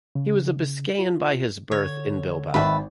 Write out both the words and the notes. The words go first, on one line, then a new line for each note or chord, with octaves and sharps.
He was a Biscayan by his birth in Bilbao.
C#3
F4
D3 C#5
G#1 D#3 B4 E5 A5 B5